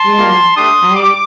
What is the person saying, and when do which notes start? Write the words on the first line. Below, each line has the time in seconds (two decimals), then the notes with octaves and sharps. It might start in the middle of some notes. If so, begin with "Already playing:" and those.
Yeah, I
Already playing: A5 C6
0.16 A#3 F4
0.56 A3 D4 G4 C6 D#6
0.95 G3 D6